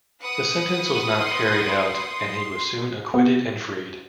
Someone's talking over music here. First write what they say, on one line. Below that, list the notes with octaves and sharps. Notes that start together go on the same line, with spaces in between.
The sentence was not carried out, and he was soon acquitted and freed.
B4 F#5 D#6
C6
B3